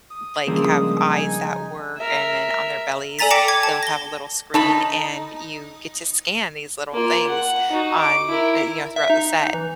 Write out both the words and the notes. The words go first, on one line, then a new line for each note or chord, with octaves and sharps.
like, have eyes that work, and then on their bellies, they'll have a little screen and you get to scan these little things on, you know, throughout the set,
D#6
G2 C#3 F3 G#3 A#3 C4
D#4 G#5
A#4 E5
A4 D5 G#5 A#5 A6 B6
G5 D6 A#6 B6 C#7 E7
D6 G#6
A5
A#6 G7
D#4 A4 A5 B5
A#3 F4
F#5
D#4 F#4
D6
E4 A#4
E5
D#4
D#4
E3